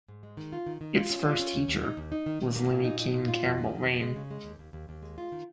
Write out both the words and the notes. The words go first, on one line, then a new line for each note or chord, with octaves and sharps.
Its first teacher was Linnie Keen Campbell Lane.
G#2
G#3
D#3
F4
D#3
D#3
F4
C#4
F4
C#4
D#2
D#2
D#4
D#2
D#4
D#3
D#3
A#3
A#2
D#4
D#4
A#2
F4
F2
D#3
F2
C#3
G#3
C#3
G#3
D#2
D#2
D#2
D#2
G#3
F4
D#3